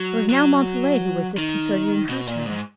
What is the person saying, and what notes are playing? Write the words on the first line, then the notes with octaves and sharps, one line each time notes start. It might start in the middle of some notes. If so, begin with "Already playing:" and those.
It was now Montalais who was disconcerted in her turn.
Already playing: F#3
F#3
D#3
B2
A#2
G#2